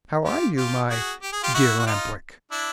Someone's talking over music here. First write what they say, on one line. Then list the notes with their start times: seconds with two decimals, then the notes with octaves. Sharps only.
"How are you, my dear Lamp-Wick?"
0.25 F4 G4
0.57 F4 G4
0.90 F#4 G#4
1.22 G4
1.32 G#4
1.43 F4 G4
1.54 E4 F#4
1.79 F#4
1.87 D#4 F4
2.51 D4 E4